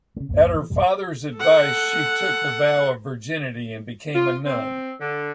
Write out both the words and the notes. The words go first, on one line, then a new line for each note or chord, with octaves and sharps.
At her father's advice she took the vow of virginity and became a nun.
C#3 A3
B1 F2 G#2 A#3
E3
G#1 F2 B2 G3
A4 F#5
F4
C4
D3